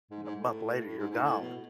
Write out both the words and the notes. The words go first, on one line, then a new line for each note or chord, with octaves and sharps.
and a month later you're gone,
G#2
G#2
A2
A2
G#2
G#2
A2
B2